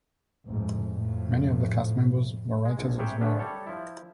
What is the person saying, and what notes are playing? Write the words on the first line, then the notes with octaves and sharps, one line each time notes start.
Many of the cast members were writers as well.
A1 F2 G#2
F2 A2
G#3
A#1
C3 G3 G#4 C#5 E5 G5
D3 A3 B3 C#4 D4
G3 A4 C#5
F3 E4